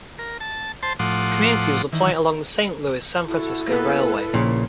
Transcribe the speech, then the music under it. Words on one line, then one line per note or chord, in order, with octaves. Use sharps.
The community was a point along the Saint Louis-San Francisco Railway.
A#4
A5
C5 A5 C6
A2 F3 F#5 C6 D6 D#6
D#3 E3
E4 F#4 A4
A#3 B3 G#4 A4 B4
A#1 A#2 C#3 C#5